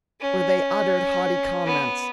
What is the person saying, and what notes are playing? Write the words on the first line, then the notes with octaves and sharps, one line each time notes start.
Or they uttered haughty comments.
C#4
B3